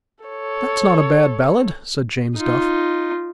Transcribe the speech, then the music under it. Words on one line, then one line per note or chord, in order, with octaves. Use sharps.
"That's not a bad ballad," said James Duff.
A4 C#5
D#4 F4